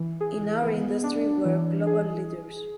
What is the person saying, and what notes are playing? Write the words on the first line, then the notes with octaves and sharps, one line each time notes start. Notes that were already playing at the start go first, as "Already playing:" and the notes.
In our industry, we are global leaders.
Already playing: E3
G#4
B3
D4
E3
G#4